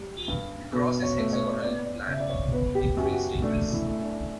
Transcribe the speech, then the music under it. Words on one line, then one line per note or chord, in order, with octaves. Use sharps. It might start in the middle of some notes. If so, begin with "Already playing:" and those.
The cross is hexagonal in plan, in three stages.
Already playing: G3
G2
B2 B4
C#5
A3
C#5
B3 D5
D5
C#3 E5
D5
C#5
B3 B4
G4
F#2 F#4
G4
F#4
A3 D4
E4
A3
D4